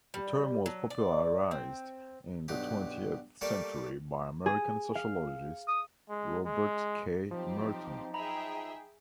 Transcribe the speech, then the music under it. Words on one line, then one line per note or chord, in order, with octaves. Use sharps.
The term was popularised in the twentieth century by American sociologist Robert K. Merton.
G3
F#3
D5
C4
B1 G2 G4
G3 A3 A#3 A4 D5
G#4
F5
D#6
G#3
G#3
F3 F#3 C4 D#4 G4
G#4 E5 G5 A#5 B5